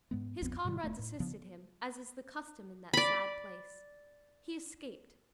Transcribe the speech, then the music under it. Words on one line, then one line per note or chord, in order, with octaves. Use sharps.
His comrades assisted him, as is the custom in that sad place. He escaped.
G#2 G#3 B3
A#1 F2 B3 C4
G#2 C3 D#3 G3
E1 A3
A2
C#3 F3 B3
D5 B5